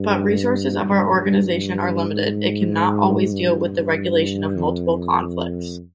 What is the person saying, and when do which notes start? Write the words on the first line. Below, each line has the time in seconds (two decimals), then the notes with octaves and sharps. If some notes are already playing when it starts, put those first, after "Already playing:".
But resources of our Organization are limited, it can not always deal with the regulation of multiple conflicts.
Already playing: G2
0.84 G2
2.08 G#2
3.32 G2
4.56 F2